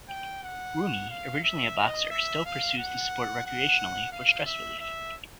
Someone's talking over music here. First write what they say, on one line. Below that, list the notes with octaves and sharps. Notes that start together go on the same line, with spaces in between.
Rooney, originally a boxer, still pursues the sport recreationally for stress relief.
G5
F#5
F5
E5
D#5
E5
F5
F#5
F#5
F5
E5
E5